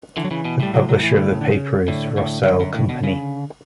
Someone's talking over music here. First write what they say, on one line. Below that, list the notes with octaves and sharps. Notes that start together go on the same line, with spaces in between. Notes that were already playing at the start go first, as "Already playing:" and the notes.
The publisher of the paper is Rossel company.
D3 E3
F#3
C#3 E3
B2
A2 G3
F#3
F#3
E3
D3
C#3
D3
C#3
A2 D3
A2
G2
F#2
A2
B2
C#3